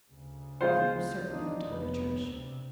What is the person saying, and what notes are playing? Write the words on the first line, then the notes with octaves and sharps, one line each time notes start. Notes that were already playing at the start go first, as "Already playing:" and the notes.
"Then you certainly ought to go to church."
D2 C#3
G#3 F4 C5
D4 D#4
F1 B3
D2 C3